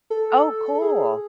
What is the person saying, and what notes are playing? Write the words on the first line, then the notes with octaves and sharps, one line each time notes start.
Oh, cool.
A4
A4
G#4